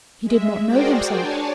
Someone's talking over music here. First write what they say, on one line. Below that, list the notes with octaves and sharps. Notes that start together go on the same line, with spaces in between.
He did not know himself.
G#3 E5
F#4 G#4 A#4 C5 D5 G5
D4 C#5 D5 G#5 A5